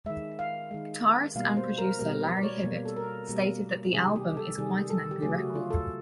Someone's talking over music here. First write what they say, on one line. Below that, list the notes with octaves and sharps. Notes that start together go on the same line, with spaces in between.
Guitarist and producer Larry Hibbitt stated that the album is:quite an angry record.
D#3 G#3 E5
F5
D#3 G#3
B2 G3 A#3 F5
C5
A#4
B2 G3 A#3 A#4
B4
D5
C#5
B2 G3 A#3
A4
A#4
B2 G3 A#3
C3 D#3 G3 G#4
G4
A4
C3 D#3 G3 G#4
A4
G4
C#3 F#3 A3 G#4
F#4
F4
A4